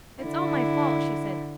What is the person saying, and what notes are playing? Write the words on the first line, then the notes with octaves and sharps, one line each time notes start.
'It's all my fault,' she said.
D3 E4